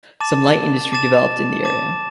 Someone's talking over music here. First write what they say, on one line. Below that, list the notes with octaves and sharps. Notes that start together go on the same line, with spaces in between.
Some light industry developed in the area.
A5 D6 A6 E7
A5 D6 A6 E7
A5 D6 A6 E7